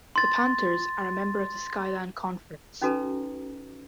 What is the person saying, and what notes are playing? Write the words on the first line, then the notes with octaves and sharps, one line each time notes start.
The Panthers are a member of the Skyline Conference.
C6 A6
C#4 D#4 F#4 A4 B4 A#5